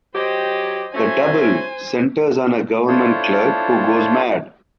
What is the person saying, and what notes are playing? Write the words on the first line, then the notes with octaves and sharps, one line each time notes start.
"The Double" centers on a government clerk who goes mad.
F#3 G4 C5 D#5
F#3 A3 C#4 C5 G#5
D4 E4 F4 A4 C5 C#5